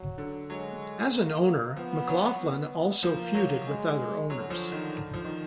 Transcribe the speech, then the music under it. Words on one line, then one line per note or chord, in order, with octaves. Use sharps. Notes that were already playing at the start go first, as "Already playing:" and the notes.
As an owner, McLaughlin also feuded with other owners.
Already playing: F#3
D3
F#3 G#3
A#3
F3 B3
F#3
B3
F3 A#3
F#3
G#3
D3 F#3
F3
D#3
F3
D#3